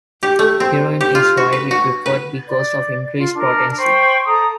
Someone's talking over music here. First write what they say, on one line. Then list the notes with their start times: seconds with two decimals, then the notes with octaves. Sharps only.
Heroin is widely preferred because of increased potency.
0.23 G4
0.39 A3
0.60 C4
1.01 G4
1.15 F4
1.37 F#4
1.53 B4
1.71 F#4
2.06 B4
2.47 D5
3.18 F4
3.35 D4 A#4
3.78 C5 G5 B5 C#6
4.26 A4 A#5 D#6